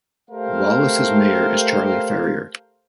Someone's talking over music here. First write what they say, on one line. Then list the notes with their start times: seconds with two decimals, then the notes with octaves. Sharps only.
Wallace's mayor is Charlie Farrior.
0.30 A3 G4 A#4 C5 F5